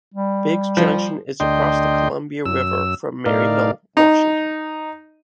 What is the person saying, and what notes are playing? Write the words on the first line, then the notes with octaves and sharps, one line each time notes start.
Biggs Junction is across the Columbia River from Maryhill, Washington.
G3
F3
D2 D4 D#5 G5 C6
F#2 E6
A2 D#4 A#4 D5 F5
D#4